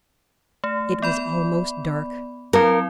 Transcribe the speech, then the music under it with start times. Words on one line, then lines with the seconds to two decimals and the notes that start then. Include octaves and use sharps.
It was almost dark.
0.64 A3
1.02 B3 D5 B5
2.53 F#3 C4 E4 A#4